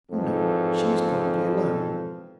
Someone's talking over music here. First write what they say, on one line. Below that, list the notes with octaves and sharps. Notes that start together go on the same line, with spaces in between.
"Oh, no; she is probably alone."
F2 G#2 E3 F3 A4